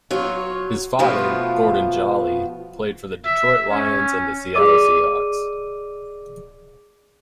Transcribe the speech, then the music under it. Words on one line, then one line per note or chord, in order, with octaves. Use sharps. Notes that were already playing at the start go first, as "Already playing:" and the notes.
His father, Gordon Jolley, played for the Detroit Lions and the Seattle Seahawks.
F#3 F4 C#5
B2 F3 A3 B3 F4
E5
C#4
G#4 D5 D#5 D6 E6 D#7